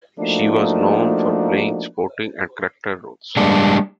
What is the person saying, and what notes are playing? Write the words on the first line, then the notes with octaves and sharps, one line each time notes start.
She was known for playing supporting and character roles.
F3 A3 A#3 D4 D#4 F#4
G3 G#3 A#3 D4